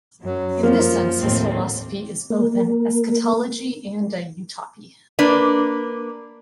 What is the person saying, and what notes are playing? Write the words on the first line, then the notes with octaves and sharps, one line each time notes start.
In this sense his philosophy is both an eschatology and an utopy.
F#2 F#3
F3 A#3
D#2 A2 C4
A#3
A#3 D4 B4